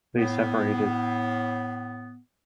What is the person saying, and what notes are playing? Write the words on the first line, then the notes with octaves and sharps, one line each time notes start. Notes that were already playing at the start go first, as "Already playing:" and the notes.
They separated.
A2 B3